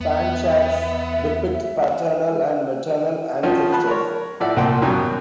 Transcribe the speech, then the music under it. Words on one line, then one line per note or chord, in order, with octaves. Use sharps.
Fan charts depict paternal and maternal ancestors.
E2 B3 E5
D#3 F3 C#4 F4 F#4
A5 B5 C6 F#6
A#4 C#5
A2 F3 D5 E5 F#5
C2 A#2 F3 F#5 G5 C6
F#2 B2 D#3 F#3 G3